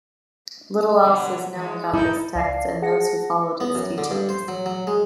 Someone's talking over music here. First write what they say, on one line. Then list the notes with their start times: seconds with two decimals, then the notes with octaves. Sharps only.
Little else is known about this text and those who followed its teachings.
1.03 B2 D3 F#3
1.55 E3 G#3
1.94 D#4 E4 A4 A#4
2.35 C#2 D5 F5 A5 C7
2.82 G#4 F#5 A5 A#6 C#7
3.60 B3
3.75 F#2
3.98 D3
4.11 G2
4.29 C5
4.48 F#3
4.66 F#3
4.87 G#3